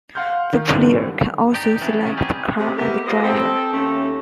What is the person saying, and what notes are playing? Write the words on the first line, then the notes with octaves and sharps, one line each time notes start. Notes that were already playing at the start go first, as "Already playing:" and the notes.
The player can also select car and driver.
F5 F#5 C6 F6 G6
D#3
G2 D3 E3 C4 D4
D4 D#4 G4
E3 F#3 C#4 D4
E2 C#3 C#4
G3 C4 C#4 D#4 G4 G#4
C3 G#3 A3
A#3 B3 E4 G4 A#4
G3 A#3 F4 B4 C5 D#5
C4 A4
D#2 A3 C#4